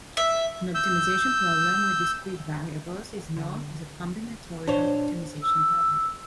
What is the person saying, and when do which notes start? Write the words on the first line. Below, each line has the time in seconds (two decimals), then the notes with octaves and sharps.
An optimization problem with discrete variables is known as a combinatorial optimization problem.
0.17 E5
0.75 E6 G6
3.36 D3
4.68 A#2 D4 C5 C#5
5.42 E6